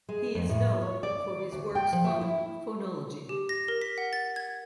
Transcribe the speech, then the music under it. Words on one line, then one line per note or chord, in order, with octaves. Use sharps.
He is known for his works on phonology.
G#3
F2
A2
C#5
D5
D2
G5
F3
A3
E4
G4
A#6
A#4
B6
F#5
A6
G#6